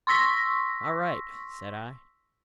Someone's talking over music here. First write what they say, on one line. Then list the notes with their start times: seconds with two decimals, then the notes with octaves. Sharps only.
"All right," said I.
0.07 C6 C#6 E6 A#6 B6